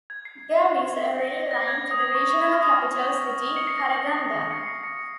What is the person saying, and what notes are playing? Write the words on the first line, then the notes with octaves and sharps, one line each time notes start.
There is a rail line to the regional capital city Karaganda.
G#6
C7
A#6 C#7
A#6
G#6
D#6
C#6
F6
D#6
C#7
C7
A#6
C7
A#6 C#7
C7
A#6 C#7